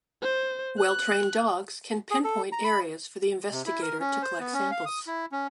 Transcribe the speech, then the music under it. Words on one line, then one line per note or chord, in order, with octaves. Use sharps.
Well-trained dogs can pinpoint areas for the investigator to collect samples.
C5
F#6
G#4
A4
A#5
B5
C3
E4
A#4
C#4
C5
B3
C#4
F5
D#6
E4
C#4